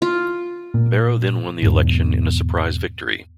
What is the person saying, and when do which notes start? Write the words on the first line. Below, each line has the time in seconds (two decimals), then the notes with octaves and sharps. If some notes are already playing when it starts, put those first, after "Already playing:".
Barrow then won the election in a surprise victory.
0.02 F4
0.74 A#2
1.63 E2 G#2 B2